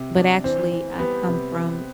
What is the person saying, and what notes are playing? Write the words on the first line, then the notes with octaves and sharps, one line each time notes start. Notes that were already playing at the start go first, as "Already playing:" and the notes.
But, actually, I come from
Already playing: C3
D4
E3 C4
E3
G3 B3
C3
C4